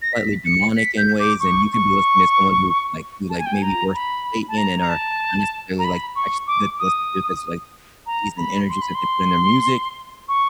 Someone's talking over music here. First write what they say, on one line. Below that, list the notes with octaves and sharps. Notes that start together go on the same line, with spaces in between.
slightly demonic in ways, and you could be listening to someone who could like who, like, maybe worship Satan and are not necessarily, like, actually good to listen to because like the frequencies and energies that they put in their music,
A#6
B6
C#7
B6
G6
D6
C#6
C#6
A5
G#5
G5
G#5
A#5
B5
A5
A#5
A#5
A5
A#5
B5
C#6
D6
D#6
A#5
B5
C6
B5
C6
C#6